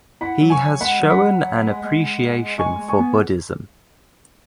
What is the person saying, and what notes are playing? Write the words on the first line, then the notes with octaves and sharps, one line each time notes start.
He has shown an appreciation for Buddhism.
E4 F#5 B5
F#3
G#5 C#6
F#3
G#3 F#5 B5
F#3
F#5 B5
F#3
F#3
G#3
G#3
G#3 G#5 C#6
G#3
G#5 C#6
B3